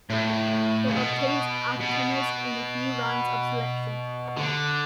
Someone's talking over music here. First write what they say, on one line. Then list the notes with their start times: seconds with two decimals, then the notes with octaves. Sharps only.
It obtains aptamers in a few rounds of selection.
0.10 A2
0.88 C#3
0.94 B2
1.80 B2
4.37 D3